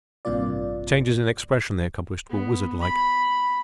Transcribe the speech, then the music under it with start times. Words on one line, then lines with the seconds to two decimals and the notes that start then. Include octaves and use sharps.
The changes in expression they accomplished were wizard-like.
0.25 A1 G2 C3 A#3 F4 D5
2.30 B3
2.81 B5